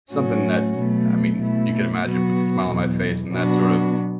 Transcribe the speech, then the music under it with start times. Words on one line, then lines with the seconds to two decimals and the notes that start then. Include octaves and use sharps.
something that, I mean, you can imagine, puts a smile on my face, and that sort of
0.11 A2 F#3 A3 C#4 F#4
0.76 B2 F#3 A3
1.39 B2 A3 E4
2.04 B2 F#3 B3 F#4
2.67 E2 B2 F#3
3.31 B2 F#3 B3 D4 F#4